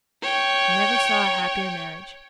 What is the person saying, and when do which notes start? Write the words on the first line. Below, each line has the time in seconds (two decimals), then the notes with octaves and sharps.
"Never saw a happier marriage."
0.22 C#5 G5